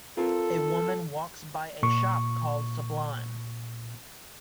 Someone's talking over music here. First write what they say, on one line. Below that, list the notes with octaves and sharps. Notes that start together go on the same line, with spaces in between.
A woman walks by a shop called Sublime.
C4 F4 A4 A#4
A#2 C#6